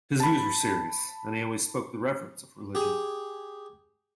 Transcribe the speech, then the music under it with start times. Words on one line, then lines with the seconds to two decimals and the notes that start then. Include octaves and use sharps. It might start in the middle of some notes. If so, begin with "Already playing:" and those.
His views were serious, and he always spoke with reverence of religion.
0.20 A5 B5
2.75 G4 G#4